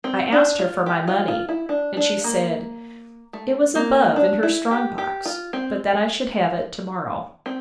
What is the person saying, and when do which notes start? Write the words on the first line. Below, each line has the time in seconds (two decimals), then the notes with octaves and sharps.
I asked her for my money; and she said, it was above in her strong box, but that I should have it to-morrow.
0.04 C4
0.32 D4
0.59 F4
0.86 G4
1.07 F4
1.28 F4
1.49 E4
1.69 D4
1.97 D4
2.24 A#3
3.33 A3
3.75 A#3
4.16 D4
4.43 E4
4.71 G4
4.98 G4
5.25 F4
5.53 C4
7.46 C4